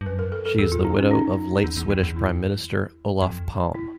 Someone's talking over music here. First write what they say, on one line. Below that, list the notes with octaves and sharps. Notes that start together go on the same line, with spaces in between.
She is the widow of late Swedish Prime Minister Olof Palme.
G2
F#2 B4
A#4
A4
A4
E2 G#4
F4
D#4
C#4
D#4
E2
E2
F2
E2
E4
F2
E4